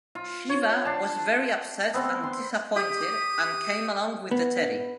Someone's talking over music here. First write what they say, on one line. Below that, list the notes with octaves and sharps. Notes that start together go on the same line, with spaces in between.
Shiva was very upset and disappointed and came along with the Teddy.
F4
C#5
D4 A5
B3 C4
C6
G4 D#6
B3